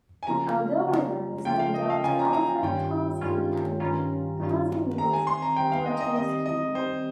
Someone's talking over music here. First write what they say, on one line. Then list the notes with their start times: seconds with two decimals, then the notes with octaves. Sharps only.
The algorithm is named after Alfred Tarski and Kazimierz Kuratowski.
0.23 G#5
0.27 C#3 F3 A#3 C#4 F4 A#5
0.87 C#3 F3 A#3 C#4 F4
1.45 C#3 F3 A#3 C#4 F4 G5
1.59 F5
1.74 D#5
1.90 F5
2.04 C#3 F3 A#3 C#4 F4 G#5
2.19 A#5
2.33 A#5
2.49 G#5
2.62 G2 D#3 G3 C#4 F4 G5
3.21 G2 D#3 G3 C#4 F4
3.80 G2 D#3 G3 C#4 F4 A#5
4.40 G2 D#3 G3 C#4 F4
4.98 D#3 G3 C4 A#5
5.13 G#5
5.27 C6
5.42 A#5
5.56 D#3 G3 C4 G5
5.72 F5
5.86 D#5
6.00 D#5
6.16 D#3 G3 C4 D#5
6.46 D#5
6.75 D#3 G3 C4 C5